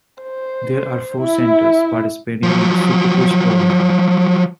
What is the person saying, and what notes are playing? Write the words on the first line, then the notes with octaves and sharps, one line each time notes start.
There are four centers participating in the SuperQuest program.
C5
E4 E5
F3 F#3